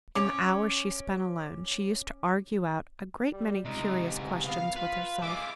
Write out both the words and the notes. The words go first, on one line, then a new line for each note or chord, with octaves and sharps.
In the hours she spent alone, she used to argue out a great many curious questions with herself.
C#4 D6
G3
C#2 C3 D#4
G#2
B3 F5
F4 B4
G#3 F4 E5 D6